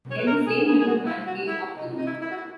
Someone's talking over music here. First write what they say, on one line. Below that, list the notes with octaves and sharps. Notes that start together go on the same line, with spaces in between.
Then the same little man came up the room.
C#5
B4
A#4
G#4
G#4
G#4
F#4
E4
F#4
E4
D#4
D#4
E4
E4
F#4
E4